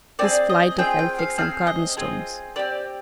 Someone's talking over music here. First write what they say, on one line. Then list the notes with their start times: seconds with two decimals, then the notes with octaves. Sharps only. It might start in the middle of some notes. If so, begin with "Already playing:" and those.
"This flight of Elphick's and Cardlestone's."
0.19 C4 F4 G#4 D5
0.49 D#5
0.78 C4 F4 G#4 G5
0.99 G5
1.19 F5
1.38 C4 F4 G#4 F5
1.67 D#5
1.97 C4 F4 G#4
2.56 C4 G4 D5